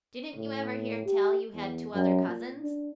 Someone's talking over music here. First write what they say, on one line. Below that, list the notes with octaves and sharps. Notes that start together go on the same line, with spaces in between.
"Didn't you ever hear tell you had two other cousins?"
A2
G4
E2
F#2
A#2
D4